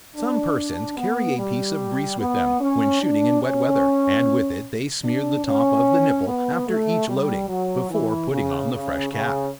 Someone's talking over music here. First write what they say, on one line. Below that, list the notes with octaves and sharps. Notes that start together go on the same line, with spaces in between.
Some persons carry a piece of grease with them, when shooting in wet weather, and with it they smear the top of the nipple after each loading, before putting on the fresh cap.
D4
B3
G3
B3
C#4
D4
C#4
D4
C#4
B3
A3
G3
F#3
E3
C#3
C#3
C#3